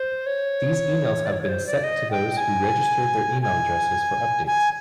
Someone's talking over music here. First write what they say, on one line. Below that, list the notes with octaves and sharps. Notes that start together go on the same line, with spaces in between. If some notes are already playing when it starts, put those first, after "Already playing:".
These emails have been set to those who registered their email addresses for updates.
Already playing: C5
C#5
D5
C#5
C#5
C5
D5
D#5
G5
G#5
G#5
G#5